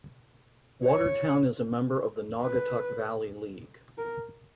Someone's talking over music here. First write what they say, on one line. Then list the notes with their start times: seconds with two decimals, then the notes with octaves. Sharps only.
Watertown is a member of the Naugatuck Valley League.
0.85 C#5
2.42 B4
3.98 A#4